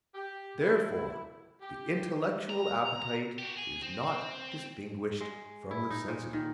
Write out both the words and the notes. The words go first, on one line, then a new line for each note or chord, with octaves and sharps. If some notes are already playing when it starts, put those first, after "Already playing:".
Therefore the intellectual appetite is not distinguished from the sensitive.
G4
E4
G4
A#5
F#4 G4
G#4
C4
G#3
E4
D#4
A#2
D#3